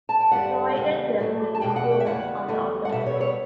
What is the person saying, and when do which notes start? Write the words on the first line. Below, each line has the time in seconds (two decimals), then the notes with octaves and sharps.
He provided them with improvements on the automobiles.
0.09 A5
0.20 G5
0.32 G2 D3 G3 B3 F#5
0.76 E2 C#3 G3 B3
1.18 A2 F#3 A3
1.55 A5
1.61 E2 B2 G3 B3 G5
1.76 F#5
1.91 G5
2.00 E5
2.05 E2 C#3 E3 G3 B3 F#5
2.48 E2 D3 F#3 A3
2.85 F#5
2.92 B2 G3 B3 E5
3.06 C#5
3.21 C#5